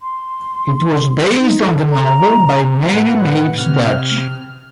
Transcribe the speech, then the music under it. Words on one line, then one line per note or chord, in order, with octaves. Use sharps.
It was based on the novel by Mary Mapes Dodge.
C6
D#4
A4
A#5
A2 B4 F#5
C3 F6